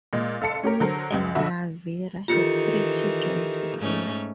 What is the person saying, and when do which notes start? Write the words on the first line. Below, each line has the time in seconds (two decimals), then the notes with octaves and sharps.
Smith and Lavira had three children together.
0.13 A#2 G#3
0.41 F#1 A4 F5 A5 C#7
0.63 C#4 G4 A#4
0.80 D3 F#3 A#4 C5
1.10 C#2 F#2 G#3
1.35 B1 D3 F#4 E5 B5
2.28 D#3 E3 F4 G4 A4 C#7
3.78 G#2 A3 C#4